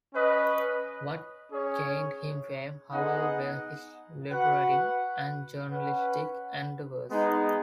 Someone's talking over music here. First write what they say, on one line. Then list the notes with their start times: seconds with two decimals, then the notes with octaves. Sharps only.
What gained him fame, however, were his literary and journalistic endeavours.
0.12 C#4 B4 D#5
1.51 C#4 G#4 C#5
2.91 B3 D#4 G#4 D#5 F#5
4.31 F#4 B4 F#5
5.70 C#4 B4 F#5
7.09 G#3 B3 D#4